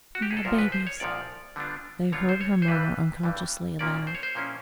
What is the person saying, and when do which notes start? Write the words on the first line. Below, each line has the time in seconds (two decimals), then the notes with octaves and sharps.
"My babies!" they heard her murmur unconsciously, aloud.
0.15 F#4
0.22 G4
0.31 G#4
0.37 A4
0.45 C2 A#2 F3 A#4
0.59 B4
0.72 C5
0.87 C#5
1.00 C2 A#2 F3 D5
1.56 D3 G3 B3 D4 F4
2.12 D3 G3 B3 D4 F4 C#5
2.29 C5
2.41 C#5
2.62 C5
2.68 G2 E3 G3 B4
3.23 G2 E3 G3
3.79 A#2 F3 A#3 C#4 E4 D5
4.07 C5
4.15 C#5
4.23 C5
4.35 A#2 F3 A#3 C#4 E4